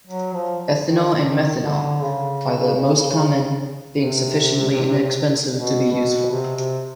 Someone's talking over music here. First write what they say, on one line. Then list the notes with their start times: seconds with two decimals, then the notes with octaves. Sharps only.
Ethanol and methanol are the most common, being sufficiently inexpensive to be useful.
0.07 F#3
0.33 F3
0.86 D#3
1.64 D3
2.02 C#3
3.97 C3
5.53 B2
5.91 B2
6.31 C3
6.56 C3